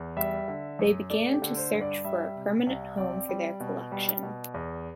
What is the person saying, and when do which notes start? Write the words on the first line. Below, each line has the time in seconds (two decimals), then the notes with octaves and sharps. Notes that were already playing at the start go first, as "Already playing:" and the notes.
They began to search for a permanent home for their collection.
Already playing: E2
0.17 G3 E5
0.48 D3
0.79 F#2
1.10 A3 D5
1.34 G4
1.42 D3
1.57 C5
1.73 G2
1.81 D5
2.04 G3 E5
2.35 C3
2.67 C2
2.98 C4 D5
3.29 G3
3.60 B2
3.92 G3
4.23 B2
4.54 E2